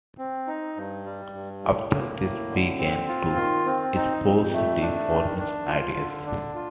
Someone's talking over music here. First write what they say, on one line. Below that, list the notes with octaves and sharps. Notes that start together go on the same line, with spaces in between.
After this he began to espouse "reformist" ideas.
C4
D#4
G2
G3
G2
A2
A#3
A2
D3
C4
F4
D#3
C4
D#4
F2
A3
D4
D#3
D4
F4
D3
D4
F4